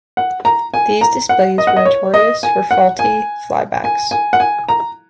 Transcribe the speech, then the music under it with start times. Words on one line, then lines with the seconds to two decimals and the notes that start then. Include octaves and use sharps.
These displays were notorious for faulty flybacks.
0.17 F#5
0.45 A#5
0.74 G#5
1.01 A#5
1.29 F#5
1.58 D#5
1.67 F#5
1.76 D#5
1.85 C#5
2.14 D#5
2.43 G#5
2.71 F#5
2.99 G#5
3.84 G#5
4.11 G#5
4.33 F#5
4.40 G#5
4.68 A#5